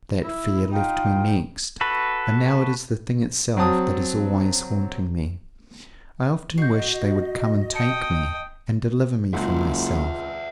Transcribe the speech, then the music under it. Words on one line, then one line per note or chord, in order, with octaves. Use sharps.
That fear left me next, and now it is the thing itself that is always haunting me. I often wish they would come and take me, and deliver me from myself.
E4
D#4 F4 G5 B5
F#4 A4 B4
F#3 C4 A5 D#6
F#4 D#5 G6 C7
G5 A5 D#6 C#7
F#1 C#2 F4 E5 F#5